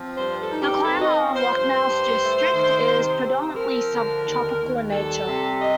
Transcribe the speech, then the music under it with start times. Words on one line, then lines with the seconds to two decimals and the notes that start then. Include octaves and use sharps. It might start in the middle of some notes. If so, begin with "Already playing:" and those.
The climate of Lucknow district is predominantly subtropical in nature.
Already playing: F3 C4
0.17 G2 C5
0.40 A4
0.51 D#4
0.62 G4
0.85 C4 A4
1.02 D#5
1.19 F3
1.36 C5
1.53 G2 C5
1.86 G2
2.21 A3
2.54 D#3
2.89 C3
3.23 C4
3.56 F3 A#4
3.91 D3
4.25 D#2
4.59 D#2
4.93 G3 A4
5.27 C3
5.60 D#5